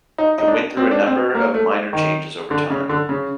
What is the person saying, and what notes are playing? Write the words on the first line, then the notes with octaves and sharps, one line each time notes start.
It went through a number of minor changes over time.
D#4
D#4
D4
C4
D4
C4
A#3
A3
D#3
D3
C#3
D3
C#3